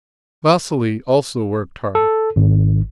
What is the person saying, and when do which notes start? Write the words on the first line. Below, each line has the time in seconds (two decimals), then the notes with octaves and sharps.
Vasily also worked hard.
1.95 A4
2.36 G#1